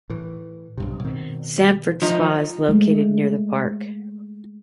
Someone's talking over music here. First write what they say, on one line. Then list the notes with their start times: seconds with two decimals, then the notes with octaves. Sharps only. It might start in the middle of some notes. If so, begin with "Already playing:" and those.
Sandefjord Spa is located near the park.
0.10 A2 E3
0.77 B1 G2 C3
1.04 B2 D#3 C4
2.02 F3 D#4
2.69 G#3 A3